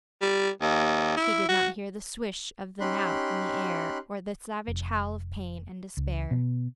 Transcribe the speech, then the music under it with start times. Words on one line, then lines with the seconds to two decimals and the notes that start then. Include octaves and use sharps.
He did not hear the swish of the knout in the air or the savage howl of pain and despair.
0.21 G3
0.61 D#2
1.17 E4
1.49 F#4
2.80 C#4 D#4 G4 B5 C6 F#6
4.68 F1
5.97 C#2
6.31 B2